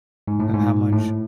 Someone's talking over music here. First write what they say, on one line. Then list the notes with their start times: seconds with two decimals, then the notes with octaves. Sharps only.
of how much
0.28 G#2
0.40 A2
0.53 G#2
0.93 A2